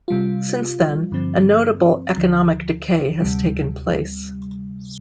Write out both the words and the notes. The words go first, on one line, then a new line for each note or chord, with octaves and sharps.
Since then, a notable economic decay has taken place.
C3 G3 F4
G2 D3 F3 C4
D2 D3 F3
D2 C3 G3